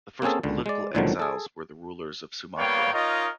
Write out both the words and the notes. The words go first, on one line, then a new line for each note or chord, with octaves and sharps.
The first political exiles were the rulers of Sumatra.
A#3 C4 C#4 G#4 A4
C#2 D3
G#3 D5
C#2 A#2 D3 D#3 F3 F#3
G#4 A4
G3 A#3 B3 C#5 F5 G5
D#4 F4 A#4 C#5 D#5